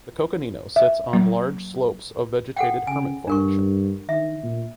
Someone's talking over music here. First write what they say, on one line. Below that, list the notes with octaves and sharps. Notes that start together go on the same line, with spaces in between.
The Coconino sits on large slopes of vegetated Hermit Formation.
E5
F#3 A#3
A4 F#5 G5
C#3 G#5
G2 D4 A#4 C#6
D#3 E5
A#2